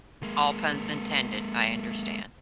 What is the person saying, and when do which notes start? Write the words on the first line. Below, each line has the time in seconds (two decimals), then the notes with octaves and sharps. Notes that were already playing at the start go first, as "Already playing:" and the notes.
All puns intended, I understand.
0.23 G#3 A#3